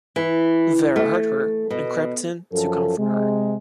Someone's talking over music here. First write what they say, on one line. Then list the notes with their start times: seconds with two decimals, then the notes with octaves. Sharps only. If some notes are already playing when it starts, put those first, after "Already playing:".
Vera heard her and crept in to comfort her.
0.16 E3
0.96 A3
1.70 B2
2.53 F#2 F3 A4
2.98 C3 G#3